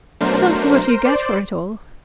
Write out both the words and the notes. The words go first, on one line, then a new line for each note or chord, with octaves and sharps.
"I don't see what you get for it all."
B2 F#3 A3 D4 A#4 C5
C5 D5